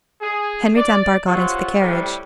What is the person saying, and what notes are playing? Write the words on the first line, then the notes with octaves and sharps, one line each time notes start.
Henry Dunbar got into the carriage.
G#4
D5
C3 F#3 F4
A2 C3 G3